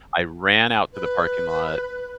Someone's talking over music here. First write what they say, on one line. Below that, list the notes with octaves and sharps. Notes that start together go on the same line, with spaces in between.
I ran out to the parking lot.
B4